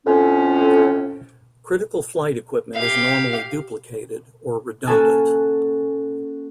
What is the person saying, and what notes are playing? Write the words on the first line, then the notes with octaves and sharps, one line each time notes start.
Critical flight equipment is normally duplicated, or redundant.
F2 A2 C#4
G4 F5
A#3 C#4 F#4 A4 G#5 A5